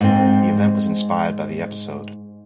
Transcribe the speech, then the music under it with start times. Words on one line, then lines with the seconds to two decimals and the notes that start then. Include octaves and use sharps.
The event was inspired by the episode.
0.01 G#2 C4